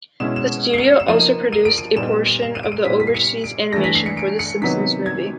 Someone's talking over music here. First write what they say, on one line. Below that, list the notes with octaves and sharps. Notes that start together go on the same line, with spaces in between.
The studio also produced a portion of the overseas animation for "The Simpsons Movie".
B2 G#3 C#4 E4 E7
E7
C7
C#7
E7
F3 A#3 D#4 D#7
D#7
D7
D#7
A#2 G3 B3 D#4 E7
E7
E7
D#7
D7
D#7
A#2 G3 B3 E4 B6
B6
C7
C#7
D7
E3 A3 D4 A#6
B6
C7
C#7
D7
C#7
C3 D#3 F#3 B3 D#4 B6
G#6